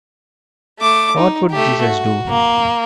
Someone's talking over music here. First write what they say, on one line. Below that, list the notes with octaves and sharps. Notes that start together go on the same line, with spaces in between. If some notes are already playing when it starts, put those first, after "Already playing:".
What would Jesus do?
A3 D6
D#4
A3 G4
F#4
A#3